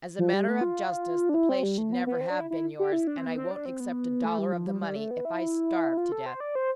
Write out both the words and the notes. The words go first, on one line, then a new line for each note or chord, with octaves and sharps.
"As a matter of justice, the place should never have been yours, and I won't accept a dollar of the money if I starve to death!"
F3
G3
A3
F4
D4
E4
C4
G3
A3
B3
B3
C4
D4
E4
E4
G4
E4
D4
C4
B3
C4
D4
C4
B3
A3
G3
F3
G3
G3
A3
B3
E4
F4
A4
C5
D5
C5